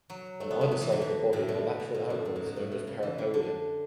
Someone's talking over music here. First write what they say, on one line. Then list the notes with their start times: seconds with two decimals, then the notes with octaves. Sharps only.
On either side of the body are lateral outgrowths known as parapodia.
0.10 F#3
0.40 A3
0.51 B3
0.61 G#3
0.71 F#3
0.81 E3
0.92 D3
1.02 B2
1.33 A2
1.48 B2
1.80 B2
1.94 A2
2.10 F#2
2.25 F#2
2.36 G#2
2.46 B2
2.56 A2
2.72 B2
2.87 C#3
3.03 E3
3.18 D3
3.34 D3